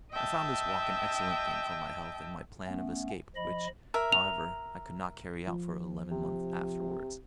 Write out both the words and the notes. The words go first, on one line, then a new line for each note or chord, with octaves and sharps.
I found this walk an excellent thing for my health and my plan of escape, which, however, I could not carry out for eleven months afterwards.
D#5 E5 G5 A5
A3 B3 C#4
F3 D#5 B5
A#4 E5
F7
F3
C3